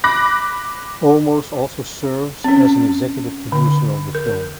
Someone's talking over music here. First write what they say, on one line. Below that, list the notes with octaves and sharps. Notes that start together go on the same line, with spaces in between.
Olmos also serves as an executive producer of the film.
B5 D6 F#6 A#6
C4 C#4
D3
A#4